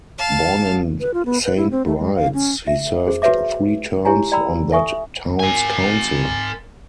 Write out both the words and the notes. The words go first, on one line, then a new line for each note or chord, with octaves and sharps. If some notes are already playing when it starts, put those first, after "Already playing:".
Born in Saint Bride's, he served three terms on that town's council.
F5 A5
B4
F4
B3
B4
E4
C4
A3
G#3
F5
C#4
E5
G#4 C5
F#4 B4 C#5 E5 D6
E4 G4 C#5 G#5 A#5
D5 G5 A#5 B5 E6
A4 E5 G#5 C#6 D#6
A#4 G#5